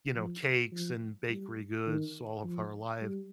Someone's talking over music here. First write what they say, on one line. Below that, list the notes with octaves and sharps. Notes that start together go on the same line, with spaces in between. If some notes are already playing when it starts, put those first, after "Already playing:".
you know, cakes and bakery goods all of her life.
F3
F3
G3
D#3
F3
G3